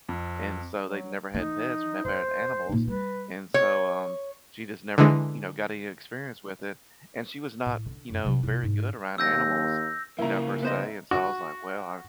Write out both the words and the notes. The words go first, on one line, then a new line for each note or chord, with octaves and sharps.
and so they'd never had pets or never had animals, and so, um, she just never, you know, got any experience with it. And she was not, you know, very good around animals, you know, per se. and so, I was like, "Well, I
F2
F#3
E3 D#4
E2 C5
A#2 D#4
G3 B4
C#5
D3 E3 G#3
A2
D3
F#2 C#4
C3 F#3
B2 E4
G#2
D#2 E6 G6 A#6
C#3 F3 A#3 E4 A#5
B3 C5 D#5
F#4